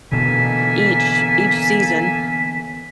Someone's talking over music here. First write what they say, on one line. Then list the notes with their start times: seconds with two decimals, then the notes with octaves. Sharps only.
each each season,
0.12 B2 D3 E3 A#3 A4 G#5 B6